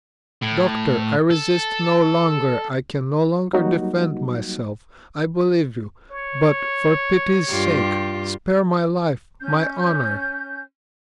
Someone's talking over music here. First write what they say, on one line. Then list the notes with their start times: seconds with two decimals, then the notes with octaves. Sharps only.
"Doctor, I resist no longer--I can no longer defend myself--I believe you; but, for pity's sake, spare my life, my honor!"
0.42 A2
1.31 A4
3.53 F#3 G3 A#3 D#4 F#4
6.11 C#5
7.50 G2 F4 G4
9.41 C#4 G6